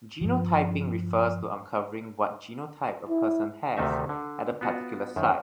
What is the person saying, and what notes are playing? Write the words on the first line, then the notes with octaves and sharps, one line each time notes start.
Genotyping refers to uncovering what genotype a person has at a particular site.
G2 F3
E4
D2 C3 D#3 A3 D#4 E5
D3
B3 F4 F#4
F#2 D#3